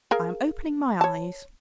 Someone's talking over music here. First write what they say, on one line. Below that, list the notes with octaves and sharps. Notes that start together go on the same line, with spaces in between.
I am opening my eyes.
G#4 A#4 F5
C#5 A5